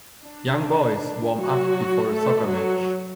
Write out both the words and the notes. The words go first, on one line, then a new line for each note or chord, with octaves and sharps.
Young boys warm up before a soccer match.
D4
F#3 F#4
A3 A4
F#3 F#4